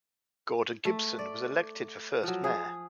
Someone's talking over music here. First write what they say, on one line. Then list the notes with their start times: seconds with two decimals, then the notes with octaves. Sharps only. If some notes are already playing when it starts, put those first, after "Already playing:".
Gordon Gibson was elected the first mayor.
0.85 A3
1.19 D5
2.24 F3 F#3
2.44 G#4